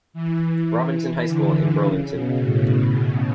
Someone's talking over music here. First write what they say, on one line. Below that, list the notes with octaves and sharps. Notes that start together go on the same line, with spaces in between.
Robinson High School in Burlington.
E3
E3
E3
D3
C#3
B2
A2